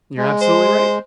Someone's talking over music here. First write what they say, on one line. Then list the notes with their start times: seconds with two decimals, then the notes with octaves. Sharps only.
You're absolutely right,
0.17 G#3
0.41 C5